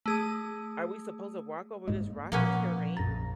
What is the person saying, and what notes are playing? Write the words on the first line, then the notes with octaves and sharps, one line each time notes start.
"Are we supposed to walk over this rocky terrain?"
A3 G#4 D#6
G#2 G#3 A#3
A#2 F3 A#3 B3 C#4
A#1 F#2 A#5 A6 A#6